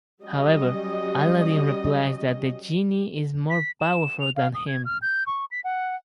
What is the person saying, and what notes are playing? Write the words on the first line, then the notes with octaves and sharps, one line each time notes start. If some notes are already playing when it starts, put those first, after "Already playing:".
However, Aladdin replies that the Genie is more powerful than him.
F#3 G3 C#4 D#5
B6
E7
F7
F5
D#6
G#6
F6
G6
C#6
B6
F#5